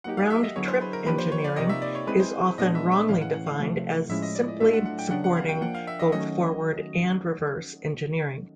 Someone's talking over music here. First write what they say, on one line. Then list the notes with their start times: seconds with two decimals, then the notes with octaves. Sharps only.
Round-trip engineering is often wrongly defined as simply supporting both forward and reverse engineering.
0.04 F#3 A#3 D#4 G4 F#5
0.17 F5
0.30 E5
0.43 D#5
0.56 D3 F#3 B3 E4 G#4 C#5
0.68 C5
0.81 B4
0.93 A#4
1.06 F3 A#3 D4 G4 B4
1.18 C5
1.32 C#5
1.44 D5
1.56 C3 F3 A#3 D#4 G4 D#5
1.69 E5
1.82 D5
1.95 C#5
2.07 G#3 C4 E4 G#4 B4
2.20 C5
2.58 A#2 F3 G#3 B3 D4 D#5
2.75 E5
2.91 E5
3.09 A2 E3 G#3 C#4 F5
3.21 F#5
3.34 F#5
3.47 F5
3.60 C3 F3 A3
4.09 A2 F3 G#3 C#4 E4 E5
4.22 D#5
4.35 D5
4.48 D#5
4.60 A2 F#3 A3 D4 F4 E5
4.73 F#5
4.85 F#5
4.99 G5
5.11 C#3 F#3 B3 D4 G4 F#5
5.24 F#5
5.36 F5
5.49 G5
5.61 F3 A#3 D4 F#5
5.75 F5
5.87 E5
5.99 D#5
6.12 D#3 F#3 A3 C#4 F#4 D#5